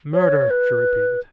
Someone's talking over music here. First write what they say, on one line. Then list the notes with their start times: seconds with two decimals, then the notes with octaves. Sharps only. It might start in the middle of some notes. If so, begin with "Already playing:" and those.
"Murder!" she repeated.
0.14 C#5
0.50 B4